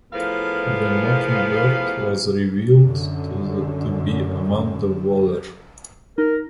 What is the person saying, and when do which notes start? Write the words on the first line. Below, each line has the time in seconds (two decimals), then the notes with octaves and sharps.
This Mockingbird was revealed to be Amanda Waller.
0.12 E2 A2 F3 B3 A#4 F5
2.83 F#2 D3
6.18 D#4 A#4